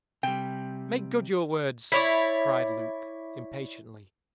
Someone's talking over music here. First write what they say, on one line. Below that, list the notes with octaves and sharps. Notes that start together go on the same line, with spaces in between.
"Make good your words," cried Luke, impatiently.
C3 G3 G5
E4 C#5 D5